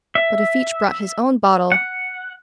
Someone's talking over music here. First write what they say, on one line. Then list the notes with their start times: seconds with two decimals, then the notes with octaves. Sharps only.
But if each brought his own bottle . . .
0.15 E5
1.72 F#5